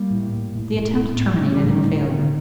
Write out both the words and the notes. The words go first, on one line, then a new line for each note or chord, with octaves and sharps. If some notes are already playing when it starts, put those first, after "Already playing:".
The attempt terminated in a failure.
Already playing: G3 A#3
A2
A2
A2
A2
A2
A2
A2 A3
G3
F3
A2 D#3 G3
A2
D3